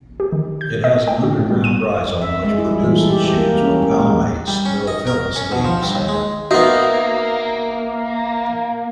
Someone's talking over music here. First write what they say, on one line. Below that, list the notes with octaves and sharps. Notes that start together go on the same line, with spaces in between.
It has an underground rhizome which produces shoots with palmate, sclerophyllous leaves.
G4
D#3
G6
D#5
G5
F#4
A2
G3
D#7
E5
G#3
E4
G3
E3
A4
G4
G4
A#3
C#4
A#3
G#3
G3
C#4
D#5
A#4
C#4
B2
F3
G2
D#2
G#3
A#3 B3 D#4 F#4 E5